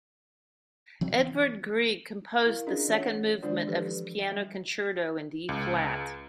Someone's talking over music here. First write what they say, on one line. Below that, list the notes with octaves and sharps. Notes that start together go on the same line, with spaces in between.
Edvard Grieg composed the second movement of his Piano Concerto in D-flat.
E3 F#3 C4
E4 A#4 F5
C#4 D4 F4 G#4 D#5
E3 F4 C#5 F#5
D#3 G#3 D4 F4 C5 D5
E3 F3 G4 A4 B4
G3
C#2